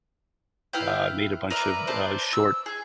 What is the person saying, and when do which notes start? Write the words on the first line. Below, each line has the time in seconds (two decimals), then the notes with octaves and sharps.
uh, made a bunch of, uh, short,
0.73 E4 B4 F5 G5
1.50 A#4 B4 D5 E5
1.87 B4 C5 D5 A5
2.33 E6
2.66 G#4